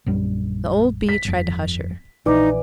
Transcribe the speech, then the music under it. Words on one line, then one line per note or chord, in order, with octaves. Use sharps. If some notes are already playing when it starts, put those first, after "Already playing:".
The old Bee tried to hush her.
A#1 F#2 G3
B6
G1 F2
A#1 E3 D#4 D5 D6